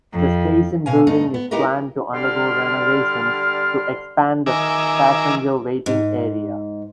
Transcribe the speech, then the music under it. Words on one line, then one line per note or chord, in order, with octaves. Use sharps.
The station building is planned to undergo renovations to expand the passenger waiting area.
F2
B2 F5 G#5
G2 A3 D#4
B3
D#4 E4 G4 A#4 B4 D#5
D3 G3 D5 C6 F6
D#3 A#4 E5 G#5 D6
G#2